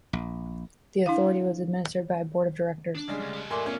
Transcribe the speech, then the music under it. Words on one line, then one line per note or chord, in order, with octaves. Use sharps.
The authority was administered by a board of directors.
A#1
D4 E4 F5
D4
C#3 G3 G#3
D2
G4 D#5
A2 A#4 D5 G#5 C6 D6
A3 B3 C#4 F4